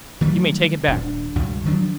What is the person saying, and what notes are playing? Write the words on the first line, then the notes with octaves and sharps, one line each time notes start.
You may take it back!'
D#3 F#3 G3 A3
D#1 G2 D4
C#2 G2 B2
D#3 F3 F#3 D4